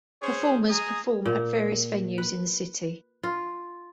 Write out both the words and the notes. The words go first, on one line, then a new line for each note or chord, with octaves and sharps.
Performers perform at various venues in the city.
C#4 G#4 C5 C#5
G#3 G#4 G#5 A#5 D#6
A#2
B4
F4